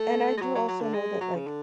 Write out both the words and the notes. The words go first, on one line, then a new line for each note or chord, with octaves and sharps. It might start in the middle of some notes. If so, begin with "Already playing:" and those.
And I do also know that, like,
Already playing: A3
G#3
F#3
F#3
F#3
D3
G#3
F#3
C#3
D3